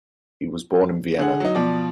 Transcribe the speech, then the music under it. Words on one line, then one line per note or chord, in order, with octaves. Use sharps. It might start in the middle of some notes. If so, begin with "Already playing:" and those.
He was born in Vienna.
D3 G#4 F#5
F#3 D#4
B2 F3 D5